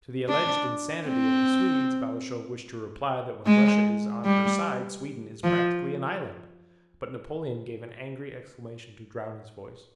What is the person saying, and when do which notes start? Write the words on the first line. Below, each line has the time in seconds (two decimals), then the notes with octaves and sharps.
To the alleged insanity of the Swedes, Balashev wished to reply that when Russia is on her side Sweden is practically an island: but Napoleon gave an angry exclamation to drown his voice.
0.28 D4
1.08 C4
3.46 G#3
4.25 G3
5.44 F3